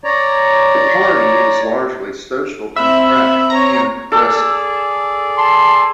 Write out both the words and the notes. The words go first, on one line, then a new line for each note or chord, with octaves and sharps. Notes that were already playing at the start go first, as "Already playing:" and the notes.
The party is largely social democratic and progressive.
C#5 D5 A#5
C4 E5 B5
C4 C#5 A#5
G#4 A4 D5
A5 C6